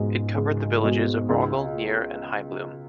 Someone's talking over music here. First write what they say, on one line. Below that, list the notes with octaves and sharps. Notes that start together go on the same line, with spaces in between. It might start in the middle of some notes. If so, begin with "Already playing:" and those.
It covered the villages of Roggel, Neer, and Heibloem.
Already playing: C#2 G#2 B2 G#3
C#2
B2 G#3
C#2